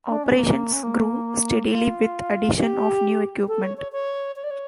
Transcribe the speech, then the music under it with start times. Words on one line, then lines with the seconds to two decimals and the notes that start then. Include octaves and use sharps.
Operations grew steadily with addition of new equipment.
0.09 D4
0.23 C#4
0.37 A#3
0.72 C#4
0.83 A#3
1.71 F4
2.59 G4
3.48 A4
3.62 C#5
3.77 C#5
3.92 C#5
4.35 C#5
4.43 D5
4.50 C#5